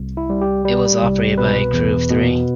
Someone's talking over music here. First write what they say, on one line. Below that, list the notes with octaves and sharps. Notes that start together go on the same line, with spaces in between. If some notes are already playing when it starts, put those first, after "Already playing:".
It was operated by a crew of three.
Already playing: C2
E4
G3
G4
G3
C2
B2 B4
E2
B2